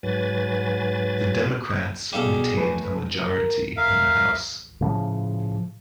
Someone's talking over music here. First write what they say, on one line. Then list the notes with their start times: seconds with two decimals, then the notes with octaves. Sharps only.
The Democrats retained a majority in the House.
0.03 G#2 F#3 B4 G#5 A6
2.13 B2 G3 G#4 A4 F5 E7
2.57 A3 B4 G#5
3.15 A#4
3.77 A#4 E5 F5
4.81 A2 C#3 F3